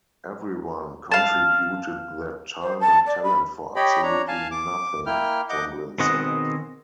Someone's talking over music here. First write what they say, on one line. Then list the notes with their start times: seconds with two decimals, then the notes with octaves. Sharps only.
"Everyone contributed their time and talent for absolutely nothing," Tomblin said.
1.11 F5 A5
2.61 C5
2.80 A5
3.06 D5
3.23 B5
3.76 G4 C#5 D#5 G5 B5
4.03 D4 C#5 A#5
4.28 F5 G#5 A5
4.51 D6
5.06 A#3 E4 G5 F6
5.49 D#5 F#5 D6 G6
5.99 B2 D#3 C4 G#4 D#5 F#5